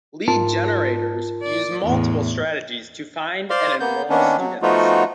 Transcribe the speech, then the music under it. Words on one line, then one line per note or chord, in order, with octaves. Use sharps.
Lead generators use multiple strategies to find and enroll students.
G#2 F4 A#4 A5
D5
E2 A2
C5 D5 F5 C6
A#3 B3 G6
D#3 A#3 B3 C#4 D4
F#3
F3 A3 B3 D#4 F4 F#4